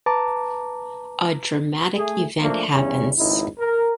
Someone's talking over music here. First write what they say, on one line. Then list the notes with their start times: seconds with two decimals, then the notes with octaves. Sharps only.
A dramatic event happens.
0.06 B4 A5 A#5 D6
1.97 A3 G#4
2.41 F3 A3 A#3 D4
2.72 E2 G2 C#3 C#4
3.17 G#1 C#2 D#4 E4
3.59 A#4